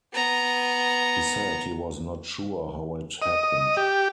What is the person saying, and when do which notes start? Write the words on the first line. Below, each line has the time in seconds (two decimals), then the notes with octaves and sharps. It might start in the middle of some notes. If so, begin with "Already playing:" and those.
He said he was not sure how it happened.
0.13 B3 A#5
3.22 D#5
3.77 G4